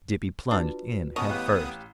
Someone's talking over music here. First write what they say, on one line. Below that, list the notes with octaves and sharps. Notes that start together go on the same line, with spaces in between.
Dippy plunged in head first.
D4 F4 F#4 B4
C#3 B3 C#5 D#5 A5 D#6
A1 G4 F5 G5 F#6